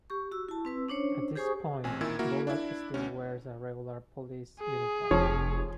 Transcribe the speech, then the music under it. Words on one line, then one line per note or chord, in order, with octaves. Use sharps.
At this point, Bullock still wears a regular police uniform.
G4 C#6
F#4 E6
E4 A5
C4 B4 E6
C#4 D4 C5 C#5
G4 G#4 C5 G#5 C#6 D#6
A1 C4 G#5
A#2 D#3 E4 E6 G#6
A#3 E4 F#4 A#4
D4 E4
D2 C#4
G#4
F1 F3 C#5